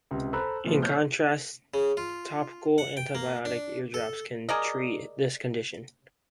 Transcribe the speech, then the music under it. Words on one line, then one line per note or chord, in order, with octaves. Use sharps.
In contrast, topical antibiotic eardrops can treat this condition.
C#2 C3
A4 C5 A#5 B5 E6 F#6
A#2 F3 A3 B3
C#5 F6 G6
C#3
F4
F#5
G5
A#3
D4
A4
G#4 A#4 D5 D#5